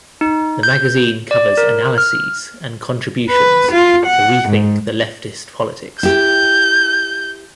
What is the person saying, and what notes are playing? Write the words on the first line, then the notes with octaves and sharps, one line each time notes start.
The magazine covers analyses and contributions to rethink the leftist politics.
D#4
G6
D5
A#4
F6
B4
F4
F#5
G#2
E4 G4 G6